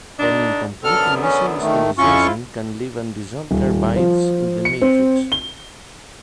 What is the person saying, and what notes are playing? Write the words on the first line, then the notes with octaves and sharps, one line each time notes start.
An incomplete initial austenitization can leave undissolved carbides in the matrix.
D3 D4 D#4
F#2 D3 B3 A4 F6
C#4
D#3 A3
F2 C#4 E4 F4 C#6
D#1
F3
C#7
C4
G7